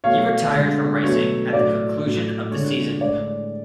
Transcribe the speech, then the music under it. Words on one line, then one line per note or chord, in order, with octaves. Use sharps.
He retired from racing at the conclusion of the season.
B2 A3 C#5 F5
D3 G#3
B2 F#3 A3 C#5
A2 F#3 A3 D5
A2 F#3 A3
D3 G#3 C#5
A2 G#3 D5